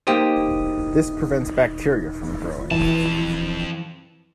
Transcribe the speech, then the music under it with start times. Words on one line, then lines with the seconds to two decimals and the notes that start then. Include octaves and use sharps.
This prevents bacteria from growing.
0.07 A#3 D#4 G4 C5 D#6
2.71 F2 E3 A5